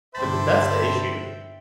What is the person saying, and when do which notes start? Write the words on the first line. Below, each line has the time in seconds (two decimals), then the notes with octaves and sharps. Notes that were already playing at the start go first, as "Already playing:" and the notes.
But th that's the issue.
0.15 G2 D3 C5 E5 G5 A5 B5